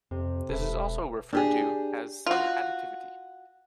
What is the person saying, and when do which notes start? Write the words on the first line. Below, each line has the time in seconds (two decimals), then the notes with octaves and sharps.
This is also referred to as subadditivity.
0.11 F2 C3
0.49 E1 A4 B4 E5
1.33 D4 G4 G#4
2.26 F4 F#4